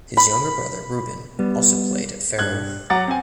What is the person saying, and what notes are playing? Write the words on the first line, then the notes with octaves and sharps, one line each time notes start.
His younger brother Ruben also played at Ferro.
B5
G3 B3
G2 F#6 G#6
F#3 F#4 F#5 A#5 D6 A6
C4 G#5